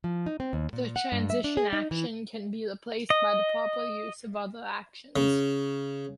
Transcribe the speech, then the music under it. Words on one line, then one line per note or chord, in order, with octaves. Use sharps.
The transition action can be replaced by the proper use of other actions.
F3
D#4
C4
D#2
A#2
F#5
G2
E5
D4
G#4
D#4
E3
D#5
C#3